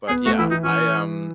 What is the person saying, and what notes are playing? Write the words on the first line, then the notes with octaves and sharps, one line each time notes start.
But, yeah, I, um,
B3 G#4
A3 F#4
E3 E4
E3 D#4
E3 C#4